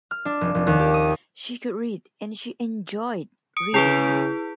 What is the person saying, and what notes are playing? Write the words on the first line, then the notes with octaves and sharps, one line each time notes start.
She could read and she enjoyed reading.
F6
D4
F1
F1
D#2
G4
D#6
D#6 C#7 D7
C#3 E4 G#4 B4